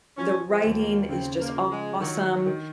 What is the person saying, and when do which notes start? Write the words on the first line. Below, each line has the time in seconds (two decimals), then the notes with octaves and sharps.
the writing is just awesome,
0.17 F3 C#4
0.48 C4
0.64 D#2
0.78 A#3
1.09 C#3 C4
1.39 A#3
1.55 F3
1.70 G#3
2.00 D#3 F#3
2.32 F#3
2.46 D#3